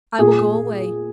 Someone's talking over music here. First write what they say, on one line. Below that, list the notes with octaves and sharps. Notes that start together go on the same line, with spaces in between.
"I will go away."
A#2 G#4